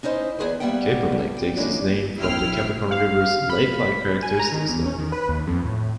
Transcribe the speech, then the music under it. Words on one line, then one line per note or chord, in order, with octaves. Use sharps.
Capon Lake takes its name from the Cacapon River's lake-like characteristics there.
C#4 D#4 E4 C5 D#5
E2 G#2 G#4 B4 C5 G#5
G3 A#3 B3 E5 F#5 G5
G2
G5
E3 G#3 A#3 C#4 D4
A#1 E4 G5 F6 C7
F5
B5
G#5
A#5
D#3
E2
C#4
D#3
B4
D#2
F2
A2